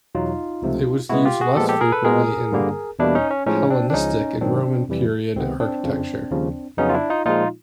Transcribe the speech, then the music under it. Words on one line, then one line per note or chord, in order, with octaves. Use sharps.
It was used less frequently in Hellenistic and Roman period architecture.
E2 B2 F#3 D#4 F4
C#2 C3 F3 A3
B2 G#3 B3 E4 F#4
F4 G4
F#4 G#4
A#2 F3 G#3 B3 G4 A4
G4 A4
G#4 A#4
A4 B4
B2 G#3 B3 G#4 A#4
G2 D3 G3 A#3
E2 B2 G3 A#3 D4 E4
C#4 D#4
C#4
A2 F3 G#3 C#4 D#4
C4 D4
D4
C#2 C#3 F3 C#4 D#4
G#2 D#3 F#3 C4 D4
F2 C3 E3 G3
C#2 C3 D#3 G#3 B3 C4
C4 D4
F2 C#3 F3
D#2 C#3 F3
F2 C#3 F#3 B3 C#4 D#4
F4
D4 E4
D#4 F4
A#2 F3 G#3 D#4 F4